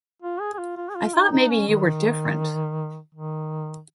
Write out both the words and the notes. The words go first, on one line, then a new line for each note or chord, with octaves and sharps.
I thought maybe you were different.
F4
G#4
G#4
F4
F4
G#4
F4
D#4
D#4
C#4
D#3
D#3